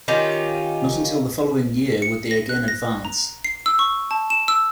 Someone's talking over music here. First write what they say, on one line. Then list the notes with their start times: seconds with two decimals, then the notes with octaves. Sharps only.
Not until the following year would they again advance.
0.08 D#3 C#4 F4 G4
2.02 C#7
2.31 A#6
2.49 F#6
2.68 A#6
3.05 A#5
3.44 C7
3.66 E6
3.79 C#6
4.11 A5
4.30 E7
4.48 E6